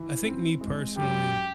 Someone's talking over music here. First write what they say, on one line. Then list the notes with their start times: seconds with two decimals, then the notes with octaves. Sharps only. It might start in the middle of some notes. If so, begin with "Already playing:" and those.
I think me personally
Already playing: E3
0.24 C4
0.61 G#3
0.97 F#2 G4